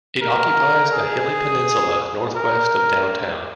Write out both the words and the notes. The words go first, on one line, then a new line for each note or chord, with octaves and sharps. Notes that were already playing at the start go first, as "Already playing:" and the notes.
It occupies a hilly peninsula northwest of downtown.
A#4
G#4
A#4